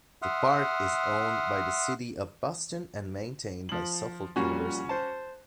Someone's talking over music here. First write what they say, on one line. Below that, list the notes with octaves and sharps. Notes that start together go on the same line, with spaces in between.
The park is owned by the City of Boston and maintained by Suffolk University.
E5 F#5 C6 D#6 F6
F3 F#7
A#2 F3 G3 C#4 F#4
C5 A5